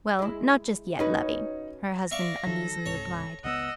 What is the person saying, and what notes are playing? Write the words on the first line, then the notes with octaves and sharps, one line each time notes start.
"Well, not just yet, Lovey," her husband uneasily replied.
G#3 E4
C#4 D#4 F#4 B4
D5 E5 F5 C#6 A#6
D#3 F#3 A4
C#2 G#2 C3 C#5
C#2 F#3 B3 D#5 F#5 E6